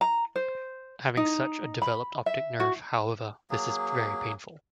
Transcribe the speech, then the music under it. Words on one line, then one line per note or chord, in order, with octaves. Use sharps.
Having such a developed optic nerve, however, this is very painful.
A#5
C5
D#4
B5
E5
F#4
F#3 A#3 G#4